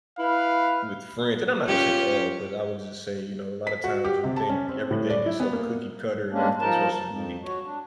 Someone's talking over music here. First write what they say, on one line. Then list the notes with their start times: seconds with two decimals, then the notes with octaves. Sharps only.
with friends, and I'm not gonna say all, but I would just say, you know, a lotta times we think everything is so cookie-cutter and everything's supposed to be,
0.19 E4 B4 F5
1.66 C#4 F4 G4
3.67 B6
3.84 F#4
4.05 G4
4.23 C3
4.36 A5
4.49 C#4
4.69 C4
4.91 A2
5.10 D5
5.26 E4
5.40 B3
5.53 A#3
6.31 G3 G#3 A#3 C#4 D4
6.60 F3 D#4 A#4 A5
6.93 A5
7.05 F2
7.44 F#4 C#5
7.64 D4